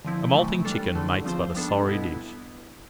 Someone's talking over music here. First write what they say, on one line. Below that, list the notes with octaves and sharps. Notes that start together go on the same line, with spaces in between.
A moulting chicken makes but a sorry dish.
D3 F3 C4 E4
C3 E3 A3
G3 D4 A4
E2 D3 A3
F3 C4 F4 C5
G3 B3 D4 A4
B2 B3 E4